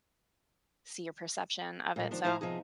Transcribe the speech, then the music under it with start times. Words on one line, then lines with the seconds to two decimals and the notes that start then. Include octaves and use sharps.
see your perception of it, so I
1.96 G2 A#2
2.11 D#3 F3 D4
2.23 A2 F3 E4 C5 G#5 A#5
2.41 C3 F3 B3 D#4 G#4